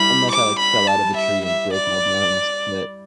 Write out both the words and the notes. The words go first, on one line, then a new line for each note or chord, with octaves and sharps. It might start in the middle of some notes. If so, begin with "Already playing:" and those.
Unless I, like, fell out of the tree, and broke my bones, but
Already playing: G3 E4 B5
D6
B5
A5
E5
E5
D5